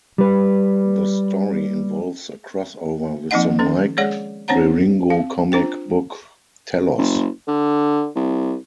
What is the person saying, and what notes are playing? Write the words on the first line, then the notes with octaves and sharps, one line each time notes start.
The story involves a crossover with the Mike Weiringo comic book "Tellos".
G3 B4
F3 A#3 C4 D#4 D#5 F#5
D#3 C#4 A4
G#3 G#4 C#5 D5 F#5
C4 D4 C5 C#5 F#5 A#5
C4 F5
D4 F4 C5 G5
F#1
D3
C2